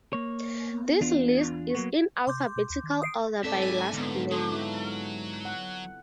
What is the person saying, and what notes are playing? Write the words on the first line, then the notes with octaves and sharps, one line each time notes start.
This list is in alphabetical order by last name.
A#3 C#5
B3
E2 D4 F4
F#3 A#3 B3
C3 C6 D6 G6
B2
D#2
D#3
D#6 C7 D7
G#2 C4 A4 D5 E5
G#5
A#2 D3 B3
F#3 A4
E4 F4
F#5